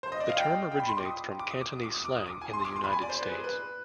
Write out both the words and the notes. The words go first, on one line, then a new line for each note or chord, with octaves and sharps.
The term originates from Cantonese slang in the United States.
C5
D#5
D5
F5
G5
G5
B5
C6
D6
D#6
D6
D#6
D6
D#6
D6
D#6
D6
D#6
D6
G#5
C6
D6
C6
B5
G#5
D5
C5
B4
G#4
B4